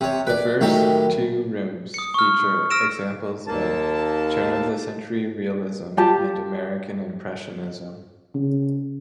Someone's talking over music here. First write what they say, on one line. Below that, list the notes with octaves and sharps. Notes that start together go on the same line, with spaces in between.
The first two rooms feature examples of turn-of-the-century realism and American impressionism.
C3 C#5
B4 D5
A2 D#3 F#3 G4 B5
D#6 C#7
C#6 F6
E6 F6 A#6 D7 E7
D#2 A#3 A5
F4 G4 A5
C#3